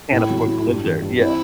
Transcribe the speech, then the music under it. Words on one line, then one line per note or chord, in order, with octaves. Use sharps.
Can't afford to live there. Yeah.
A2 E4
F#3
A2
G2
E3
G2
C4 E4